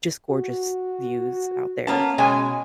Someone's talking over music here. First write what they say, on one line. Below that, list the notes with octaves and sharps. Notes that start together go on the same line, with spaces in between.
just gorgeous views out there. So,
F#4
A#3 B3 C#4 A5
B2 G#3 G#5